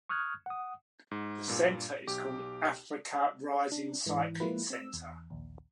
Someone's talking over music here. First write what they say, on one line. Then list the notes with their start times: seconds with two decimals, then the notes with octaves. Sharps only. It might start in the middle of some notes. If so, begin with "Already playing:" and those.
The center is called Africa Rising Cycling Center.
0.09 C#6 D#6 F6 F#6 G#6
0.46 F#5 D#6
1.11 G#2
1.48 G2 A#2 A#3
2.07 B1 G4 D6
3.72 D4
4.06 G#2 E3
4.40 F3 G#3 A#3 E4 F4 B4
4.70 C4 E6
4.94 E2
5.30 A#1 D#2